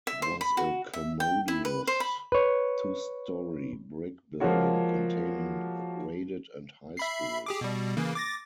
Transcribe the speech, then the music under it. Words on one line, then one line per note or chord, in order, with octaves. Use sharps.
It was a commodious two-story brick building containing the graded and high schools.
E5
C5
B5
F#4
E5
G5
E4
B4
C5
B5
B4 C#5
F3 G#3 A#3 F4 F#4 C#5
E5 B5 C7
G4 G#4 D6
B2 G3
C#3 E3 A#3
D6 A6 A#6